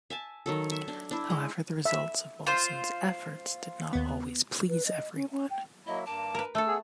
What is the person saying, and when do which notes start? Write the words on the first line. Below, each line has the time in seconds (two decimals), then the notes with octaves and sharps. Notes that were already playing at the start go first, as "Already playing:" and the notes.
However, the results of Balsan's efforts did not always please everyone.
0.10 E5 G#5 A5
0.46 D#3 F#3 A4
0.71 E5
0.88 D4
1.11 D4 E4
1.30 G#3
1.85 E5
2.46 F4 C5
3.93 D#2 B3
4.69 B4
4.87 D#5
5.15 C#4
5.32 C#4
5.50 G5
5.87 F#3 A#3 E4 D#5
6.06 G2 A#3 A5 D6
6.35 A#4 B4
6.55 A3 A4 E6
6.67 B3 G#4